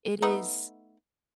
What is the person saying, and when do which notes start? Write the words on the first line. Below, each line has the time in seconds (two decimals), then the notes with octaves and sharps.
It is
0.22 A3 B3 D#4